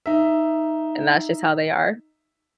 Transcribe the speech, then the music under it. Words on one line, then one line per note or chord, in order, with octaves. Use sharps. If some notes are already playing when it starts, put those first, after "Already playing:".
and that's just how they are.
D#4 E5